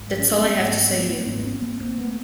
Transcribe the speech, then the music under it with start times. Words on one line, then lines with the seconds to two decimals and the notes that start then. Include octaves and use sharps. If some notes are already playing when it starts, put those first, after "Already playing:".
That's all I have to say to you!
Already playing: G#1 G#2
0.19 C#4
0.30 D4
0.41 B3 C#4
0.54 G#1 G#2 A#3 C4
0.73 A3 B3
0.91 A#3 C4
1.08 A3 B3
1.26 G#1 G#2 A#3 C4
1.44 B3 C#4
1.62 A#3 C4
1.80 A#3 C4
1.98 A3 B3